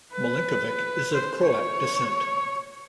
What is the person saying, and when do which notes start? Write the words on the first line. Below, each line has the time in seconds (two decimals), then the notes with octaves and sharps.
Milinkovic is of Croat descent.
0.13 B4
1.14 C5
1.47 C#5